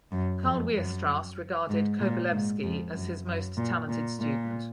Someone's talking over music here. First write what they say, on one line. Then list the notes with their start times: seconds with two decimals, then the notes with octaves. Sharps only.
Karl Weierstrass regarded Kovalevsky as his most talented student.
0.12 F#2
0.43 F2
0.76 F#2
1.69 G#2
2.00 A#2
2.31 G#2
2.63 F2
2.94 F#2
3.27 F#2
3.57 A#2
3.89 A#2
4.20 A#2